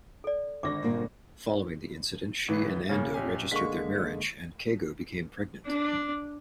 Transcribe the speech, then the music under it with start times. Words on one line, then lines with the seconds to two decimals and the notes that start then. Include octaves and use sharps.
Following the incident, she and Ando registered their marriage, and Kago became pregnant.
0.24 A4 D5
0.63 G#1 D3 C#6 D6 A#6
0.83 G2 A#2 A#3
2.48 G1 E3 B4
2.89 A2 C#3 A#3 C#4
3.14 A#1 G4 G#5
3.51 D3 G#3 A#3 C#6 B6
5.66 D4